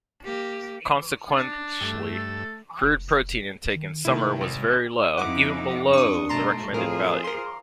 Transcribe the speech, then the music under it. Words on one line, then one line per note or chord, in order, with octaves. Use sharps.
Consequently crude protein intake in summer was very low, even below the recommended value.
A#3 G4
D4
G2 A3 E6
A4
F1
D#3
C3 D#3 A3 E4
G#1
F2 D#4 E4 F#5 D6
F2 D4 C#6 D#6
B2 D#3 A3 A5 A#5 C6
F2 A2 F4 G#4 A#4 C5
A#4 C6